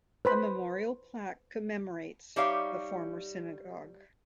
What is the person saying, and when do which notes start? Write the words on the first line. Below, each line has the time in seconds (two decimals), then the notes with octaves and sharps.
A memorial plaque commemorates the former synagogue.
0.25 B4 C5 B5
2.36 G3 D#4 G4 C#5 E5 F5